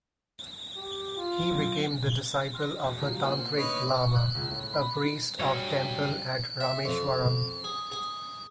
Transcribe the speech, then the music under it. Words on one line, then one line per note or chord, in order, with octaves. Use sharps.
He became the disciple of a Tantric lama, a priest of temple at Rameswaram.
G4
F4
F#3 C4
C6 F6 A#6
E2 B2
A2 D3 F#3 G3 F4 A#5
F3 A#3 C5 F#5 F6 D#7
A2 D3 D#3 B4 C#5 D#5
C#6
F#6
C#2
A2
B5
G2 F#4 G#4 C#5
E5
F2
G#4
G#4